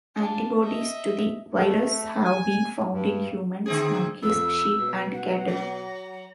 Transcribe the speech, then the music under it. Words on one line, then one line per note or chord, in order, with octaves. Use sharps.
Antibodies to the virus have been found in humans, monkeys, sheep, and cattle.
D4 F4
D#5 E5
A3
G#5
G2
D3 C4 G#4
F2 A#3 E6
B2
F#5
F#3 A#6